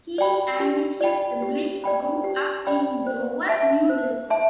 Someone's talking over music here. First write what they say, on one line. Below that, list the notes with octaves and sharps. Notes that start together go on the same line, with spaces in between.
He and his siblings grew up in Dover, New Jersey.
D5 G5 B5
G4
D5 G5 B5
G4
D5 G5 B5
G4
D5 G5 B5
C5
E5 A5 C6
C5
E5 A5 C6